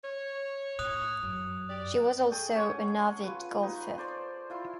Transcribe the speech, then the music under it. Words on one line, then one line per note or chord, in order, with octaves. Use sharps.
She was also an avid golfer.
C#5
A2 D#6 F#6 F7
F#2
G4 D5
G#4 A4 G5 D#6
C#4 C#5 F#5
F4 B4
D#4 B4
C5 D5 C6
E4 F4 C6